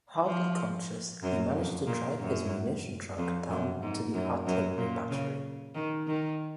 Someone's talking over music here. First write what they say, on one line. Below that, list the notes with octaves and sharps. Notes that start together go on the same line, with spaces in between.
Hardly conscious he managed to drive his munition truck down to the artillery battery.
F3
F#2
F2
A#2
F#2
F2
F#2
G#2
F#2
F#2
A#2
C#3
D#3
D#3